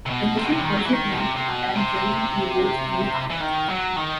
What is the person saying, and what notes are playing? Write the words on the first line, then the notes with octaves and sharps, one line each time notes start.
The mission also aimed to attack German U-boats in the harbour.
C3
B2
C3
B2
C3
E3
D#3
F#3
E3
D#3
B2
C3
C3
B2
C3
E3
D#3
F#3
D#3